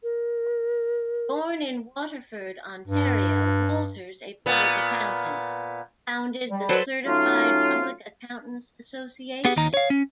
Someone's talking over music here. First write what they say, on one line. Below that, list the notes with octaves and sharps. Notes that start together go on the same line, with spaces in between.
Born in Waterford, Ontario, Walters, a public accountant, founded the Certified Public Accountants' Association.
A#4
G2
A#2 B3
G3
F#3 A4 B4 C5
F#3 A3 C#4 D#4 F4
B3 G4 G#4 F#5
D#2 D#3 D#4 A#5
C#5 F5
C#4